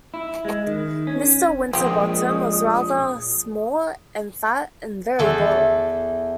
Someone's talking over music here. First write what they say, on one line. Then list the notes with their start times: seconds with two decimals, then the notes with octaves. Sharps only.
Mr. Winterbottom was rather small and fat, and very bald.
0.14 E4
0.45 G#3
0.67 D#3
1.07 C#4
1.73 A#2 F3 G#3 C4 G4 D#6
5.19 E2 A4